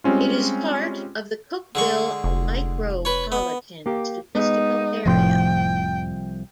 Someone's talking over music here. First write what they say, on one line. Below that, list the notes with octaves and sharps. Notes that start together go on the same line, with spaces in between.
It is part of the Cookeville Micropolitan Statistical Area.
G3 G#3 C4 C#4 F4
D3 G#3 C#6
F1
B4 C#5
B3
A#3 G4
G#3 B3 D#4
F1 C2 F2 A2 F3 G5 C6